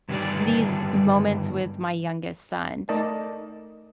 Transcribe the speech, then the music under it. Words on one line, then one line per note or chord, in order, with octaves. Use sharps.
these moments with my youngest son,
G2 D3 D#3 G3 G4 D5
A3 D#4 A#4 D5 D#5 A5